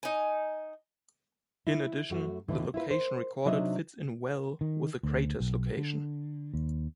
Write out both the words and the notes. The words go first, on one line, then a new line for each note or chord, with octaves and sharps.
In addition, the location recorded fits in well with the crater's location.
D#4 G#5
E4
F#2 A3 F#4
D#2 A2 D3 E3
E4 F4 B4
A#4 C5
C3 F#3 D4 D#4 D#5 E5
D#3
D2
B1
D3
D#2